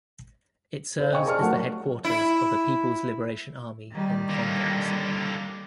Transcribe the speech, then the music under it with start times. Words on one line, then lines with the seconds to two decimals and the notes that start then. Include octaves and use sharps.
It serves as the headquarters of the People's Liberation Army Hong Kong Garrison.
0.99 A4 C5 F5
1.12 D#5 G5 G#5 C#6
1.25 G#4 A#4 D5 A5 C#6 F6
1.41 F#3 A3 F#5
2.05 E4
3.91 D#3 G3
4.29 D3 A#3